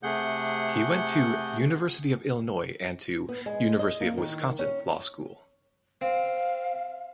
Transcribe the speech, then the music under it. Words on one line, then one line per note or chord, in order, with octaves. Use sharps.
He went to University of Illinois and to University of Wisconsin Law School.
C3 A3 G#4 F#5 G6
B3
G#3
D#5
A#3
D#3
C#4
C4 F5